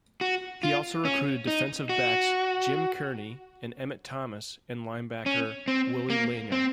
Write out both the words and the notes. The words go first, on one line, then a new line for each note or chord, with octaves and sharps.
He also recruited defensive backs Jim Kearney and Emmitt Thomas, and linebacker Willie Lanier.
F#4
F4
C#4
D#4
F#4
C#4
C4
A#3
C4